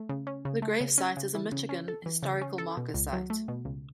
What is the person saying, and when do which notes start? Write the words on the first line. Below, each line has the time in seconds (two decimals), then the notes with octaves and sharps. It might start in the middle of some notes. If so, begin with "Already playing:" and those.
The grave site is a Michigan historical marker site.
Already playing: A3
0.09 C#3
0.27 C#4
0.45 C#3
0.62 A3
0.80 C#3
0.98 C#4
1.17 C#3
1.35 E3
1.52 C#3
1.69 C#4
1.88 A4
2.06 E3
2.23 C#3
2.41 C#4
2.58 A4
2.77 B2
2.94 C#2
3.13 F#3
3.30 A3
3.48 B2
3.65 C#2